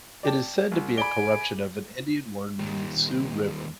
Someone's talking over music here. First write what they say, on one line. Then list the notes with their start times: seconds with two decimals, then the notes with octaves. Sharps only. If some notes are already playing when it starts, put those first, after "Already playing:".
It is said to be a corruption of an Indian word meaning Sioux river.
0.23 D5 G5 A5
0.72 C2
0.97 D5 G#5 B5 D7 G7
2.59 D#2 G3